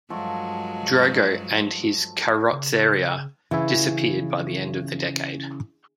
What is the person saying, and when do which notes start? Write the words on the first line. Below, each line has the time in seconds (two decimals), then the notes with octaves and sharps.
Drogo and his Carrozzeria disappeared by the end of the decade.
0.10 G2 F3 F#3 G#3 F#4 A4
2.53 C#3
3.51 C#3 E3 E4